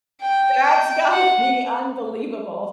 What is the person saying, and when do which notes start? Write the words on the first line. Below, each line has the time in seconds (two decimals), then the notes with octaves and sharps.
That's gotta be unbelievable.
0.20 G5
0.66 G5
1.12 F#5